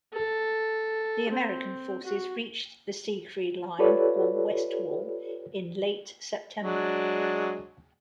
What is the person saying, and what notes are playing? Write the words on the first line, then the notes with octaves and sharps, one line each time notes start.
The American forces reached the "Siegfried Line" or "Westwall" in late September.
A4
C4
F#4
F4 G4 A4 B4 C#5 D5
F#3 G#3 D4